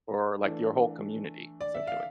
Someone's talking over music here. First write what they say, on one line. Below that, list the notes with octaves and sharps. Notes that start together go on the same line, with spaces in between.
for, like, your whole community, essentially.
E3 A3 D4
D5
E5
F5